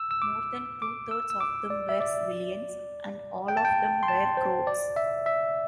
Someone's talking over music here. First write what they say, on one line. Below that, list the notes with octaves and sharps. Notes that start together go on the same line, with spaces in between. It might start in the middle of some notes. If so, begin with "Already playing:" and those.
More than two thirds of them were civilians, and all of them were Croats.
Already playing: E6
E6
D6
D6
E6
E6
D6
D5
E5
D5
G5
A5
G5
C6
A5
C5
D5
E5
E5